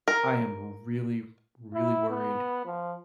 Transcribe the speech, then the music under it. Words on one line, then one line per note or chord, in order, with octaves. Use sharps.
I am really, really worried
A#4
E4
B3
F3